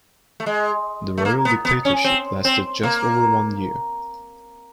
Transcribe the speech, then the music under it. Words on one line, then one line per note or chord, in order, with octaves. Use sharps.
The royal dictatorship lasted just over one year.
A3
G#3
A3
A#3
B3
B3
C#4
C4
C4
A#3